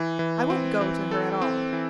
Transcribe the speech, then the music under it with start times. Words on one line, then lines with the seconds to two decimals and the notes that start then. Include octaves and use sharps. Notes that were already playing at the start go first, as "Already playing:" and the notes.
I won't go to her at all.
Already playing: E3
0.19 E3
0.50 C4
0.81 E3
1.11 A4
1.41 C4
1.73 E3